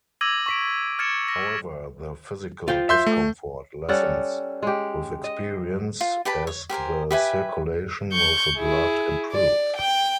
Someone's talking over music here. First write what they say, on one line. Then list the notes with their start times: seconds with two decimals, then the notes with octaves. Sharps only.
However, the physical discomfort lessens with experience as the circulation of the blood improves.
0.21 D6 E6 G#6 A#6 D#7 F#7
0.46 C#6 B6 D7
0.99 F6 G#6 A6 C#7 E7
1.28 A#6
2.68 F4 C5 G5
2.89 E5 C6 G6
3.06 A3
3.89 G3 C#4 A4 F#5
4.62 G#3 G4
5.24 D#5
6.00 F4
6.25 G4 B4 A5 B5
6.47 C#5
6.69 G4 A#4 C5 G#5
7.11 G4 B4 E5 G#5
8.13 C#6 G6
8.57 E4 G#4
9.32 D5
9.77 G5